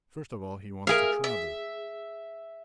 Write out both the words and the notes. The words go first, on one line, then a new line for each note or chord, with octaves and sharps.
First of all he wants to travel.
G#4 A#4 E5 F5
E5